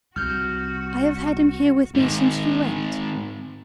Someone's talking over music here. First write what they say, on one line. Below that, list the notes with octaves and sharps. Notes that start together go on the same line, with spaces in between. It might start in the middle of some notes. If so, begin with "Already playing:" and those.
"I have had him here with me since you went."
C2 F#4 F6 G6
G#2 D#3